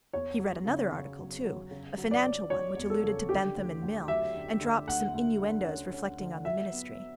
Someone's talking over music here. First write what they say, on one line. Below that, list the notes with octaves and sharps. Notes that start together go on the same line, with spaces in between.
He read another article, too, a financial one, which alluded to Bentham and Mill, and dropped some innuendoes reflecting on the ministry.
E2 C#5
F#3
C#3
C#3
F#3
F#3
C#3
F#3
D5
C#4
F#3 C#5
E2
A4
C#3
D3 G4
D2
D2
F#3 E5
D3
D3
D2 F#5
D2
D3
C#4
C#4
D3
F#3 E5
B3